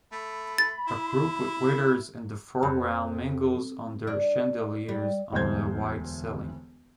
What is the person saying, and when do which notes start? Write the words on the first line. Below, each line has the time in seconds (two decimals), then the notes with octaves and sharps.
A group with waiters in the foreground mingles under chandeliers on a white ceiling.
0.12 A3 B5
0.58 A6
0.88 E4
2.63 F2
4.07 D4
4.89 G3
5.32 E1 D2 G3 C5 G6 G#6